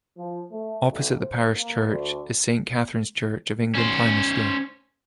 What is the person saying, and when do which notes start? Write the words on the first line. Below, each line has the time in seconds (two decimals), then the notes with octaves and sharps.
Opposite the parish church is Saint Katharine's Church of England Primary School.
0.17 F3
0.51 A3
0.88 B1
1.21 C5
1.54 A#3
1.88 D2
3.75 C#4 C5